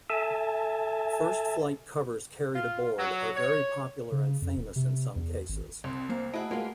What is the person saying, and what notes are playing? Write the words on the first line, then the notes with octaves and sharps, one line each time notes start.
First flight covers carried aboard are very popular and famous in some cases.
A4 E5 G#5 A5
F4
F#3
C#5
C#3
F2
D#1
C3
E2
G#1
C2 C4
A#3 C5
A3 E4 F#4 G#4 D#5 F#5
G#3 A#3 F4 B4